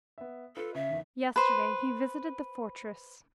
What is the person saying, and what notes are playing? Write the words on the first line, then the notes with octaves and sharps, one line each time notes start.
Yesterday he visited the fortress.
B3 E5
F4 A4 B4
C#3 E5
E2 D#3
B4 C5